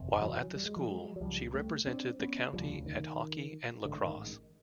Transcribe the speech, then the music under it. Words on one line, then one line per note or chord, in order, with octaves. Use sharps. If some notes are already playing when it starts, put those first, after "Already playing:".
While at the school she represented the county at hockey and lacrosse.
Already playing: F#1 E2 C3
E3 F#3
G3
G#3
F3 G3
F#3 G#3
F#3
C#2 C#3 F3 G3
G3 A3
C4 D4
B3 C#4
E1 D2 C#3 F3 G3
D#3
A1 G#2 D3
D#3